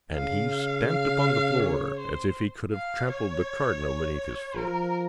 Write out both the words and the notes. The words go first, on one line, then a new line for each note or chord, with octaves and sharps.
And he stamped upon the floor, as if he could have trampled the cardinal beneath his foot.
C#3 F5
F5
C#5
C5
F5
C#5
F3 A#4